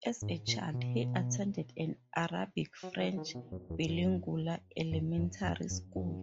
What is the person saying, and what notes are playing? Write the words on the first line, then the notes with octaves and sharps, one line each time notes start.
As a child, he attended an Arabic-French bilingual elementary school.
G#2
A#2
B2
F#3
E3
D#3
B2
F#2
E2
F#2
F#2
F#2
F#2
F#2
F#2